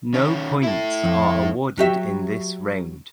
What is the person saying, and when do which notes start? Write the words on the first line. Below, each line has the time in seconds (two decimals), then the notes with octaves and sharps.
No points are awarded in this round.
0.14 D#3 C#4
0.63 E4 A4
1.04 F2
1.78 F#3 G4 E5